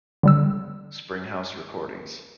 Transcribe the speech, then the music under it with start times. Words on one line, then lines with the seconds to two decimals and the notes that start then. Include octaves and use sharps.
Spring House Recordings.
0.23 D3 G3 E6